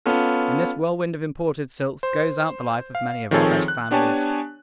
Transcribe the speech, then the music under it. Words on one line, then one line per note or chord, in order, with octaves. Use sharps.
In this whirlwind of imported silks goes out the life of many of our best families.
B3 C#4 F4 A4
C5
F5
D#3 F3 C4 G#4 A4 C#5
F#6
B3 D4 G4 C#5 G#5 A5